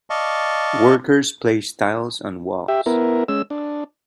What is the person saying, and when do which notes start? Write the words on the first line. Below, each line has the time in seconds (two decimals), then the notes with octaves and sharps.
Workers place tiles on walls.
0.10 D5 D#5 F5 A5 C#6
2.68 G4 E5
2.86 B3 E4 A#4
3.28 G#3 C#4 E6
3.50 D4